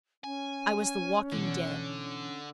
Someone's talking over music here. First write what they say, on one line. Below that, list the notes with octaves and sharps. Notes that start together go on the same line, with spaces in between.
I was the walking dead.
C#4 G#5
B2 D3 E3